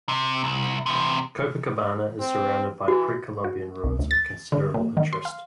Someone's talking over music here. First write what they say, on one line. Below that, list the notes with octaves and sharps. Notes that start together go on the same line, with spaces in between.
Copacabana is surrounded by pre-Columbian ruins of considerable interest.
C3
C2
E2 C3
C4
E3 F#4
F#4
C2
D2
A6
D3
A#2
D#3
C6
F5